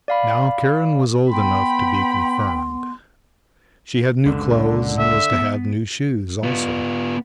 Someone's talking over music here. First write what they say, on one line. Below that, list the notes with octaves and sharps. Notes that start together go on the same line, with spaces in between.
Now Karen was old enough to be confirmed; she had new clothes and was to have new shoes also.
D5 F5 B5
B3 G5 B5 C6
C#2 F#2 D3
E5
B3
B3 F4